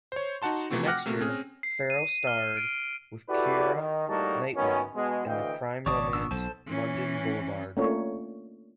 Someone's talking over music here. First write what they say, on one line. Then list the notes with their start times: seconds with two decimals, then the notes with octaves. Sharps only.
The next year, Farrell starred with Keira Knightley in the crime romance "London Boulevard".
0.12 C5 C#5
0.42 D#4 F#4 F#5 A5 C6
0.70 C3 E3 F3 A3 C4 F#4
0.86 F#5 G5 D6 F6 F#6 A#6
1.06 C3 A3 A#3
1.20 C4 C#4 G#4
1.63 C7
1.90 D#7
2.09 D#7
2.27 F6
2.57 D7
3.30 E4 F#4 G4 A4 B4 D5
3.75 D#3
4.09 A2 G3 A#3 D#4 F#4 A5
4.56 F#2 D#3 B3 C#4
4.96 B2 G#3
5.27 D2 E3 D#5 F5 G5
5.86 G#1 C#3 C#5 D5 A5 C#6 D#6
6.13 B3 D4 E6
6.31 B1 A4 C5 A5
6.67 E3 C#4
7.77 A3 A#3 C#4 D4 F4 C#5